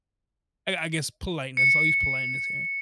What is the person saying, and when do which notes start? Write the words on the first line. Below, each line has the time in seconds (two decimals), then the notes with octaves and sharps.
I I guess, politeness- I'll use politeness here-
1.57 C#7